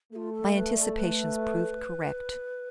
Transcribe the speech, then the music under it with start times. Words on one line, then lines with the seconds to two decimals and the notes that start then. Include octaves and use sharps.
My anticipations proved correct.
0.13 A3 F4 A4
0.34 A4
0.55 B4
0.75 D5
0.96 B4